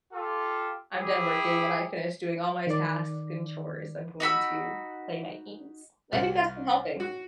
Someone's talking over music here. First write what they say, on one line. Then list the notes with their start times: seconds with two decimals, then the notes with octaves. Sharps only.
I'm done working and I finished doing all my tasks and chores, I'm going to play my games. I think that's been helping.
0.12 F4 G4 A4
0.94 E4 G4 G#4
2.67 D#3 D5
4.20 D#4 F#4 B5 E6
6.12 C2
7.00 F#4